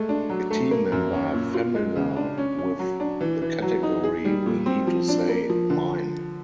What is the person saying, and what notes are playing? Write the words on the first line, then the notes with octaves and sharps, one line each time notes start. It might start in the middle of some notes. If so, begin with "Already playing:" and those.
A team member familiar with the category will need to say Mine!
Already playing: G#3 A3
D4
F#3
A3
A#3
F#2
C#4
A#2
F4
G#3
C#3
D4
C#4
C#4
F#3
D4
E3
E3
F#3
D#4
G#4
G3
A#2
C4
F3
D4
A#3
F3
D3